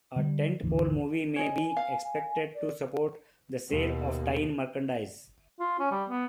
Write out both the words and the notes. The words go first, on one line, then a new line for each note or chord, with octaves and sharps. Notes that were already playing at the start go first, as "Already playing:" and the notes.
A tent-pole movie may be expected to support the sale of tie-in merchandise.
D3 G3
D1 G1 D2 E3
C#5 D#5 G#5
F5
G#5
D5
D#2 B2
F4
C#4
G3
B3